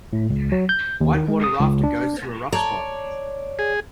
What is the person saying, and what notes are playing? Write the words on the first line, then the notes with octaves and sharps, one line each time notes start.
White water rafter goes through a rough spot.
A2
C#2
F#3
G6
D#2
D#3
G#3
D#6
C#2
D4
C#5 D5 A5 A#5
G#4